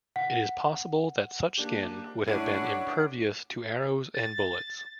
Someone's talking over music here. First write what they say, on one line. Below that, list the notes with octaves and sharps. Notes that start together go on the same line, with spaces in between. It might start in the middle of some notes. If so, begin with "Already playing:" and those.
It is possible that such skin would have been impervious to arrows and bullets.
F#5
A#3 D4 G4
A3 C#4 D4 E4 F#5 D#7
A6